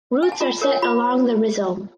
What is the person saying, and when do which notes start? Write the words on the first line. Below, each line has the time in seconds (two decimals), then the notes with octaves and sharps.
Roots are set along the rhizome.
0.23 G#5
0.32 A5
0.41 F4 A#5
0.62 A#4 C#5
0.82 F4 B5